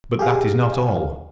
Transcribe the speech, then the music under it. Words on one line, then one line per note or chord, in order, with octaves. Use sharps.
But that is not all.
G4 G#4 F5